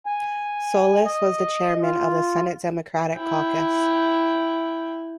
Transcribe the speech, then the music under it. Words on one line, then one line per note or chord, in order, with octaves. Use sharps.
Soles was the chairman of the Senate Democratic Caucus.
G#5
D#5
F4
E4 G5